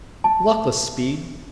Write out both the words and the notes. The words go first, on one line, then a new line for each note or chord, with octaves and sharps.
Luckless speed!
A5